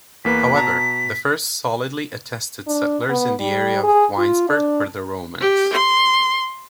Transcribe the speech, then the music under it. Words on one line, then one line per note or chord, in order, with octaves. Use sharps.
However, the first solidly attested settlers in the area of Weinsberg were the Romans.
E2 A#3 B4 B6
B2 A5 A#5
D4
B3
G3
G#4
F4
D4
G4
C6